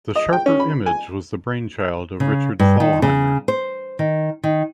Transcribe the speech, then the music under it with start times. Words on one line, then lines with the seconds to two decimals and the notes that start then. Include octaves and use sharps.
The Sharper Image was the brainchild of Richard Thalheimer.
0.16 D#5
0.33 G5
0.46 C#4
0.60 B5
0.86 G#5
2.20 C#3
2.59 G2
2.80 D#3
3.02 C#3
3.48 C5
3.99 D#3
4.43 D#3